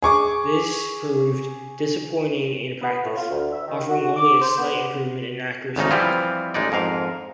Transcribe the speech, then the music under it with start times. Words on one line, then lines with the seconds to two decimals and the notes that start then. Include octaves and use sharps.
This proved disappointing in practice, offering only a slight improvement in accuracy.
0.02 G#4 C#6 D6
2.81 B3
3.04 A2
3.17 F4
3.30 D2
3.52 E5
3.68 D#3
3.89 F#4
4.16 D6
4.41 C5
4.58 B3
5.76 G#1 D2 C#3 D#4
5.91 E3 F3 G3 C4 E4 F4
6.54 A1 G#3 D#4 D5
6.72 F2 G#2 A#4 F5